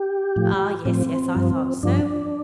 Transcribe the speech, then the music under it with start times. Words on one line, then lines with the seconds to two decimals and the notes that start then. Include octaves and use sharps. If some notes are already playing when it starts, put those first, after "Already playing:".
Ah, yes, yes; I thought so.
Already playing: G4
0.36 A2 F3
0.85 A2 F3 C4
1.35 G2 F3
1.83 G2 F3 D4